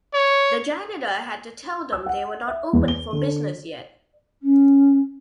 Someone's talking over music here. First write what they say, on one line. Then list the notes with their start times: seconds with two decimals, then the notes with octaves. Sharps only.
The janitor had to tell them they were not open for business yet.
0.14 C#5
1.92 E6
2.06 F#5
2.48 E5
2.73 E2
2.88 G7
3.13 D3
4.42 C#4